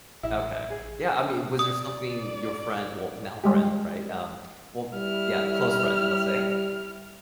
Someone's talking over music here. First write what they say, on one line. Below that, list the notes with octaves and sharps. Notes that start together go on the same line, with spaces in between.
Okay. Yeah, I mean, was there something your friend well, now friend, right? Um, well Yeah, close friend, let's say,
A1 E4
G#4
D5 D#6
G3 G#3 G4
G3 E4 F6